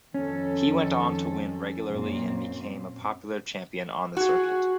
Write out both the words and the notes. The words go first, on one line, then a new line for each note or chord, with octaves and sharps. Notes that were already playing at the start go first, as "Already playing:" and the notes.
He went on to win regularly and became a popular champion on the circuit.
F2 D#3 C#4 A4
F#2 A#2 C4
F#4 G#4